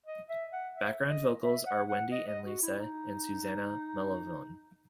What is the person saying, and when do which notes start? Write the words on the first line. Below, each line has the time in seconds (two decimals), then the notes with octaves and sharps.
Background vocals are Wendy and Lisa, and Susannah Melvoin.
0.06 D#5
0.29 E5
0.53 F#5
0.75 E5
1.09 D#5
1.43 E5
1.66 F#5
1.89 F#5
2.12 D#5
2.28 D#5
2.46 F#4
2.63 E4
2.80 D#4